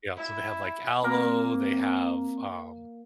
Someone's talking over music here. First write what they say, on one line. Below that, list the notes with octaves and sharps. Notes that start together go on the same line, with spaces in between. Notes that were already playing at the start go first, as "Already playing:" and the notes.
yeah, so they have, like, aloe, they have, um,
E4
A#3 C4 A#4